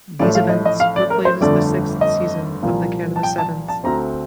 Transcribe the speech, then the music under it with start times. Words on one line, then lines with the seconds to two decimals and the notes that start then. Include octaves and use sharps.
These events were played as the sixth season of the Canada Sevens.
0.19 A1 A2 F3 A3 D5
0.35 F5
0.49 D#5
0.65 D#5
0.80 F5
0.96 D5
1.10 A#4
1.25 C5
1.41 G1 F2 D3 A3 D5
2.01 D#5
2.63 C2 A#2 F3 A#3
3.16 A5
3.23 G5
3.38 A5
3.69 A5
3.84 D2 D3 A3 C4 A#5